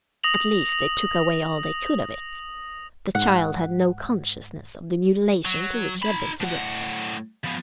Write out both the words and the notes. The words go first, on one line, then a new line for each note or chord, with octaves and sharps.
At least they took away all they could of it; the child had no consciousness of the mutilation to which he had been subjected.
D#6 A#6 F7 F#7
G#2 F#5
F#3
D#4 B5
A2 F#5
F3 B3